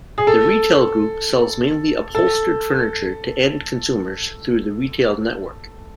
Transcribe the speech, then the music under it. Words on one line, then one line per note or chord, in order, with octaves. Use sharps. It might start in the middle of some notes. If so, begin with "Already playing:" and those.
The Retail Group sells mainly upholstered furniture to end consumers through the retail network.
G#4
A4
A4